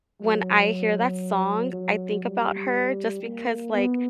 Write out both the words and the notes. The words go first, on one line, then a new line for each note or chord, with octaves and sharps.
when I hear that song, I think about her just because, like
F#3
F#3
G3
A#3
B3